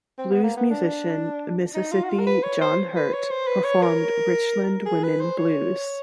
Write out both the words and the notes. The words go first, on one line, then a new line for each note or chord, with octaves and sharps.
Blues musician Mississippi John Hurt performed "Richland Women Blues".
C4
B3
A#3
B3
D4
D#4
F4
F#4
F4
A#4
B4
C#5
C5
B4
C#5
C5
B4
C#5
A#4
G#4
B4
C5
C#5